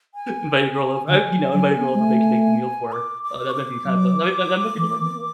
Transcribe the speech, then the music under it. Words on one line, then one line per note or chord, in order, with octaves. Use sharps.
invite a girl over I've you know, invite a girl over, make make the meal for her, although that might be kind of, uh, that that might be the way to do it.
G#5
D3 G#5
F#3
F#3
B3
G#3
A3
D6
D6
C#6
D6
F#3
E3
E3